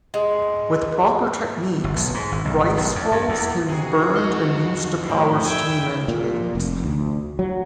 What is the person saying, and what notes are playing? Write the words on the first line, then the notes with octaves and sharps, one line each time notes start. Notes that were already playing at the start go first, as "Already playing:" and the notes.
With proper techniques, rice hulls can be burned and used to power steam engines.
G#3
G1
B1
G#2
G#1
B1
G#1
B1
F2
G2
E2
C3 D#4 F#4 G#4
F2 D#5
A2 C3 G3 G4
E5 G5 G#5
A#2
F1
D2
F#3